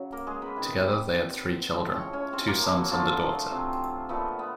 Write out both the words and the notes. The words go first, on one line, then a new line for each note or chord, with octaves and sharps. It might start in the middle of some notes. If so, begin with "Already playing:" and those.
Together they had three children: two sons and a daughter.
Already playing: C#3 F#3
A#3 A#4
G#3 G#4
B3 B4
C3 D#3 G3
A2 F3 G#3 C4 C5
C#4 C#5
C#4 C#5
C4 C5
A#3 A#4
F3 F4
F#3 F#4
D3 F3 F#3 A3 F4
C3 C4
A#2 F3 A3 B3
B3